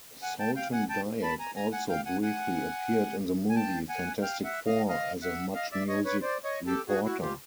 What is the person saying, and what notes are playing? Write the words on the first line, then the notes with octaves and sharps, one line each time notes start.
Soltendieck also briefly appeared in the movie "Fantastic Four", as a MuchMusic reporter.
F#5 G#5
G5 A5
F5 G5
F#5 G#5
G5 A5
A5 B5
G#5 A#5
G#5 A#5
F#5 G#5
F5 G5
F#5 G#5
F#5 G#5
G#5
G5 A5
F#5 G#5
F5 G5
E5 F#5
D#5 F5
D#5 F5
E5 F#5
D#5 F5
D5 E5
C#5 D#5
B4 C#5
C5 D5
C#5 D#5
G4 A4
F#4 G#4
E4 F#4
F4 G4